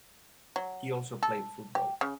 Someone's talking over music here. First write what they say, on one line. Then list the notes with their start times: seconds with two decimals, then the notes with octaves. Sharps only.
He also played football.
0.56 F#3
1.23 A4
1.75 G4
2.01 C#3